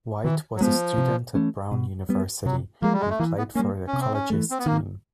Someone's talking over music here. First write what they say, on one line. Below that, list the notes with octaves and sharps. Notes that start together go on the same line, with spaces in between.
White was a student at Brown University, and played for the college's team.
D#3 E3
F#3
F3 G#3 B3
C3
E3 A3 C#4
B2
G3 B3
C3 F#3
F3 G#3 A#3
G3
G#3
A3
E3 A#3
B3
G3 A#3 C#4
C#4
C3
C4
C#4
E3 A3
C4
B3
D#3 A#3